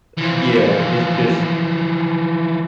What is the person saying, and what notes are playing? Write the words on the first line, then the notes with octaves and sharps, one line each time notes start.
year is just
E3 F3